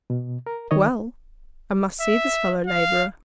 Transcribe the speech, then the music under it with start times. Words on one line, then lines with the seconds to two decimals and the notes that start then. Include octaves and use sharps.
Well, I must see this fellow-laborer.
0.10 B2
0.46 A#4
0.71 D#3 C#5 D#5
2.00 E5
2.67 F5